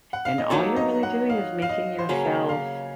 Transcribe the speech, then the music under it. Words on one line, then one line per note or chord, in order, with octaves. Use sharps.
and all you're really doing is making yourself
F#5
F5
D#5
F#3 A#3 D#4 A4 C#5
D#5
F#5
F5
F5
D#5
C5
C#3 F#3 A#3 C#4 C#5
F5